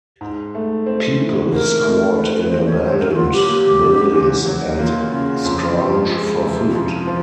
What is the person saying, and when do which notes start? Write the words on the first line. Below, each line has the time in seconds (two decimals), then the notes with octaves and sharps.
People squat in abandoned buildings and scrounge for food.
0.21 G#2
0.55 A3
0.86 C4
1.19 E3
1.52 G#2 A#4
1.84 A3
2.17 C4 B4
2.34 B4
2.50 E3 C5
2.66 C#5
2.82 E2 C5
2.99 A#4
3.11 F#4
3.15 F#3 F4
3.32 G4
3.48 A#3
3.81 C#3
4.14 E2
4.46 F#3
4.78 A#3 F4
5.11 C#3
5.45 F2
5.77 F3
6.09 G#3
6.42 C3
6.70 F#4
6.75 F2 F4
7.07 F3